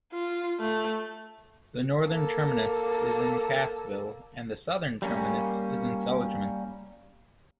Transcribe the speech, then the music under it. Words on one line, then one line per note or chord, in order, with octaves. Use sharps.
The northern terminus is in Cassville and the southern terminus is in Seligman.
F4
A3
A#3 A4
G3 A#3 C#4